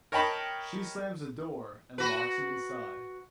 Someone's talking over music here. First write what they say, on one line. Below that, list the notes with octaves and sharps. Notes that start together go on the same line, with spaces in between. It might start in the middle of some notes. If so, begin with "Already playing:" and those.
She slams the door and locks him inside.
A#4 C#5 D#5 G5 A5 B5
F#4 B4